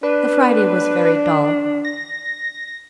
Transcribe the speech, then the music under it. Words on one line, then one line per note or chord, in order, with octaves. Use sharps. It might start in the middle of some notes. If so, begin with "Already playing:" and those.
The Friday was very dull.
D4 B4
A#6